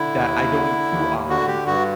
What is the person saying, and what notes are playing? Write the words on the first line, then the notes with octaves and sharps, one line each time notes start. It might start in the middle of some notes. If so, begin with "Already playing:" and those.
that I don't eat too often,
Already playing: D3 E4
D#2
D3
D#2
D3 F#4
G4
G2 F#4